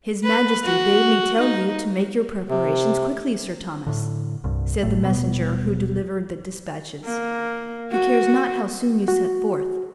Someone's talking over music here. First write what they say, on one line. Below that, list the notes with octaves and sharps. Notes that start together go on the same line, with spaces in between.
"His majesty bade me tell you to make your preparations quickly, Sir Thomas," said the messenger who delivered the despatches; "he cares not how soon you set forth."
B4
F#4
D#4
C3
A2 D3
C2 G2
G#1 A2 A3
D#1 B2 G3 B3
A#3
F#4
F#4